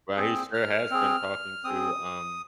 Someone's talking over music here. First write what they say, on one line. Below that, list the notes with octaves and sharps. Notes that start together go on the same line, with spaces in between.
Well, he sure has been talking to, um
C4 G#4
F6
C4 G#4
C4 G#4 D#6